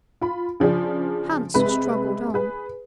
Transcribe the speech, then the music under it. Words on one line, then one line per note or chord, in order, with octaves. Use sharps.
Hans struggled on.
F4 B5
C#3 F3 D4 G#4
C3 G#3 B4 B5
G#4 B4